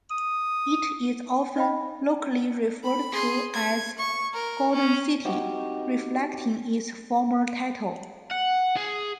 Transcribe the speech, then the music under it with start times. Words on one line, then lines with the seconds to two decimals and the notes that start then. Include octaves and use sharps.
It is often locally referred to as "Garden City", reflecting its former title.
0.10 D#6
1.56 D#4 C5 D#5 F5 G5 B5
2.83 B5
3.12 G#4 C6
3.54 G#6
3.98 C#6
4.33 A#4
4.72 C#4
5.25 C4 D#4 F#4 G4
8.31 F#5
8.77 G#4